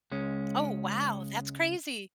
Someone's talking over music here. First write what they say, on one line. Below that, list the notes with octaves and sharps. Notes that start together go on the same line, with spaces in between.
Oh, wow, that's crazy.
C#2 G#3 C#4